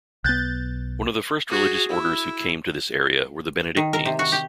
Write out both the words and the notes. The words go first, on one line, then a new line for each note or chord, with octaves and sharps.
One of the first religious orders who came to this area were the Benedictines.
B1 B3 F#6 G6 A6
F#4 G#4
E4
D#3
A#4
C3
F#4
G4